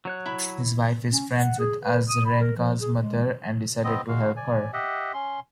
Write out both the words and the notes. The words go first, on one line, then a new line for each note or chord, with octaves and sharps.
His wife is friends with Azarenka's mother and decided to help her.
F#3 C#5 F#6
E4 B5
C#4
F#5
G#4
B4
D#6
B5
A#4
F3
G#4
G#3
B3 C4 D#5
G#3 F#4 F5
D5 G#5
G4 D#5 E5 F#5
C#4 C6